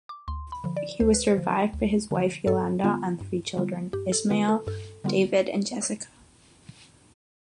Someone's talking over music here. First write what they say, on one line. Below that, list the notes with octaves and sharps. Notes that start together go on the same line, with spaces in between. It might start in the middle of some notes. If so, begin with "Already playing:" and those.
He was survived by his wife Yolanda and three children: Ismael, David, and Jessica.
D6
D2 C6
B5
D3 F3
D5
D2 C5
B4
C5
D3 F3
D2
D3 F3
G2 A4
D3 G3 B3 F4
G2
D3 G3 B3 F4
G2 G4
A4
D3 G3 B3 F4 B4
A4
G2 A4
D3 G3 B3 F4